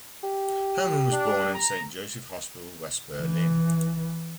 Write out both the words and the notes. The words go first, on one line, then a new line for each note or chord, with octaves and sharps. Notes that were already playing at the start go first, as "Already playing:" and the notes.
Hermann was born in Saint Joseph's hospital in West Berlin.
G4
D4
A#5
E3